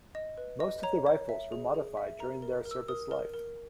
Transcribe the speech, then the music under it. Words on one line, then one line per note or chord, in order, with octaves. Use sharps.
Most of the rifles were modified during their service life.
D#5
B4
D#5
C#5 A#5
C#5
E5
G#4
G#4
E5
A#4 A#5
A#4
A#4
E6
A#4 D#6
A#4
A#4